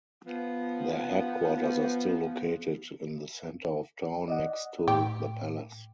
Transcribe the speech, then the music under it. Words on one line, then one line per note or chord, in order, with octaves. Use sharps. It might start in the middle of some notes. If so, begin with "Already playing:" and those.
Their headquarters are still located in the centre of town, next to "the palace".
F3 B3
D5 D#5 F#5
A2 G4